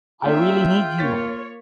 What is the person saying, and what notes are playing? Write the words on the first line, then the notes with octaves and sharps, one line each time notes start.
I really need you.
A#3 C#4 D4 F4 G#4 E5 G5
A#3 C#5 A6 B6